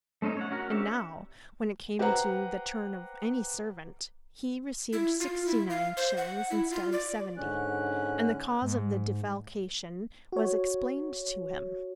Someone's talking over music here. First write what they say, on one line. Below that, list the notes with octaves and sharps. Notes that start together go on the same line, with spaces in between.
And now, when it came to the turn of any servant, he received sixty-nine shillings instead of seventy, and the cause of the defalcation was explained to him.
A3 C4 C#4 D#4 C#5
C#5 F#5
C#4 F#4 A#4
C4 D4 G4 C#5 E5
G4 B4 C5 F#5 A#5
E4
F4
E4
F5
C5
F#5
E4
F4
D5
G#2 D3 C#4 F#6
G#2
F#4 C#5